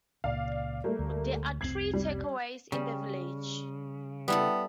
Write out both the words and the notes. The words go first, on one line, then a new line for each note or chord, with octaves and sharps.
There are three takeaways in the village.
C#2 A#2 D5 F5
G3 A3 A#3
D2
F1 C2 C4 G#6 C7 F#7
G3
C#3 G3
G3 B3 E4 A4